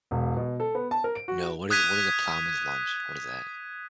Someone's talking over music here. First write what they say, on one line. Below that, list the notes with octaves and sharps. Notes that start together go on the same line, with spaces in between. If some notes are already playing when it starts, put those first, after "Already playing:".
No, what is what is a ploughman's lunch? What is that?
E1
B2
A4
B3
A5
A#4
D7
F#4
D#6 F#6 G#6 B6 D#7